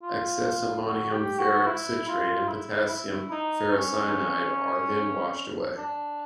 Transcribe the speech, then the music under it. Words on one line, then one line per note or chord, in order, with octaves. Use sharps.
Excess ammonium ferric citrate and potassium ferricyanide are then washed away.
F4
F#4
G4
F#4
E4
F4
E4
E4
D#4
C#4
D4